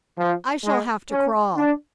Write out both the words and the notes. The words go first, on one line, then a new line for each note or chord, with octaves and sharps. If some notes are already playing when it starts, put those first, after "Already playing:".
I shall have to crawl.
F3
G#3
C#4
D4